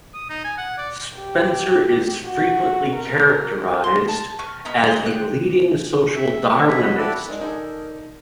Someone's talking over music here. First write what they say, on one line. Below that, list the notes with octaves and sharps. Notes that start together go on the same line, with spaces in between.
Spencer is frequently characterized as a leading Social Darwinist.
D#6
D#4
G#5
F#5
D5
G4
F#4
A#4
C6
A5
B4 C#6 F6
B3 D#4 A#4 B5
C5 D#5
G4 F#6
E5
C#5
F4 B4 E5 A#5 C#6
F#4 B4 C#5 D#5
E4 F#4 G4 A4 D5
G#3 D4 D#4 A#4
D4 D#4 G#4 A4